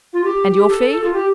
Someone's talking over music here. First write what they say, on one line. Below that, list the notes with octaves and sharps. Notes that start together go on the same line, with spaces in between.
"And your fee?"
F4
G4
G4
A4
A4
F4
G4